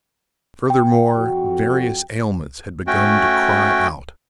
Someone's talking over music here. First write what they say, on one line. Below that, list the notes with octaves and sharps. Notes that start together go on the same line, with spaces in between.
Furthermore, various ailments had begun to cry out.
G5
F2 F#4
A3 C#4 F#4 G5